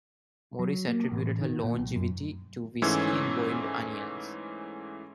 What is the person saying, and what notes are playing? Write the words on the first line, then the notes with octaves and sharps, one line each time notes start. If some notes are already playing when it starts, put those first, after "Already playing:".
Morris attributed her longevity to whisky and boiled onions.
F#3
A#3
A1
D#3
A#2
B1
F#2
G#2 E3 A3 C#4 E6 G#6